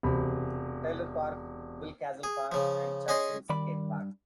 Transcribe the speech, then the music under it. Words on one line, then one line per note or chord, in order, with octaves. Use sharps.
Taylor Park, Bill Castle Park, and Church Hill Skate Park.
E1 C3 B5
G#4
C#3 F3
C#4 G#4 D#5 C6
G2 D#3 D5 B5